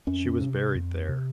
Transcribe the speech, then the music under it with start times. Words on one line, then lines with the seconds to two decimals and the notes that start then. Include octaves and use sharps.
She was buried there.
0.07 F2 C#4
0.41 C3
0.75 F2
1.09 C3